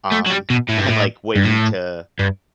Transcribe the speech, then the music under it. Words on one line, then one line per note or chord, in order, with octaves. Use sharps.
um, and like, waiting to
A3
F#3
G3
B2
A2
G2
A2
G2
A2
G2